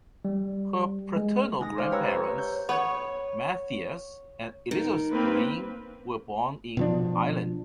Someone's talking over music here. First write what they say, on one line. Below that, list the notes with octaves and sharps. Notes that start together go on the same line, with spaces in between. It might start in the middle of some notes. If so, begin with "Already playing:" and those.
Her paternal grandparents Matthias and Elizabeth Breen were born in Ireland.
G3
G#3
G#3 D#4 D#6 A#6
C5 F5 D6
G4 B4 C#5 A#5 E6 F#6
C5 C#5
C#6
G6
B3 C#5
D#3
A#3 C4 B4
B2 F3 D4